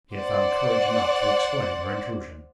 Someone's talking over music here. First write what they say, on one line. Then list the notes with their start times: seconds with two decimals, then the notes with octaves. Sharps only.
She had found courage enough to explain her intrusion.
0.13 C5 D5 F#5